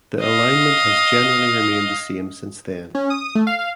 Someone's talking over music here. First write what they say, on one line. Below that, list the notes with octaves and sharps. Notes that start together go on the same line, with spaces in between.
The alignment has generally remained the same since then.
D#5 F5
C#4
D#6
A3
F5
F5